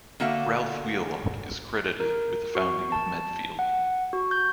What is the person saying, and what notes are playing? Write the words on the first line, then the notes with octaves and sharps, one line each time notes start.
Ralph Wheelock is credited with the founding of Medfield.
D3 A#3 F#4 E5 F5
A#4
F#4
A5
F#5
F#4
G6